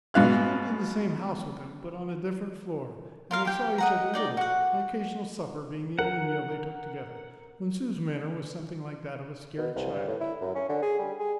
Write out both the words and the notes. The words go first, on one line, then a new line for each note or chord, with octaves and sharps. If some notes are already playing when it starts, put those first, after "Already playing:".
She lived in the same house with him, but on a different floor, and they saw each other little, an occasional supper being the only meal they took together, when Sue's manner was something like that of a scared child.
G#2 B2 F5 F#6
F4 A#4 F5
G4 G5
D#5 F#5 A#5
D#4 D5 G5
F#4 F#5
A#4 F#5
B2
C2
G2
A2
E4
F#2
C#4
D3
G#4
G3
G#4